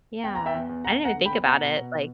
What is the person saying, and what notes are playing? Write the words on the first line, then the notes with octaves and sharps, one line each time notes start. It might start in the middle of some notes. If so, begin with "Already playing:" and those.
Yeah. I didn't even think about it. Like
E2 G5
E2 A#5
E5 G5
E2
E2
E2 F#5 A#5
E2
F#5 A#5
D3
G5 B5
E2
B2 F#5 A#5
B2
B2